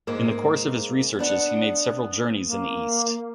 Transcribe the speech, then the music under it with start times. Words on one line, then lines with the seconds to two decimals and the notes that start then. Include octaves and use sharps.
In the course of his researches he made several journeys in the East.
0.07 G#2 G#3 A#3
1.19 B3 D4 F#5
2.46 A#3